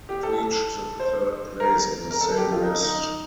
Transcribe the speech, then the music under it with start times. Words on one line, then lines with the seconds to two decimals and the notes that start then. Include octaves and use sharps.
It reached the third place on the same list.
0.09 G4
0.23 A4
0.38 A4
1.00 C5
1.60 A#4
2.11 A#4
2.21 A4
2.37 G4
2.52 F4
2.62 D#4
2.83 D#4